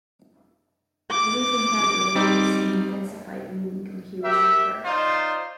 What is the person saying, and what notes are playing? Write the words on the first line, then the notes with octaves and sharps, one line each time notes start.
Everything had a religious and intensified meaning when he was with her.
D6
G3 C4 D#4
G4 A#4 E5
D#4 F4 C5 D5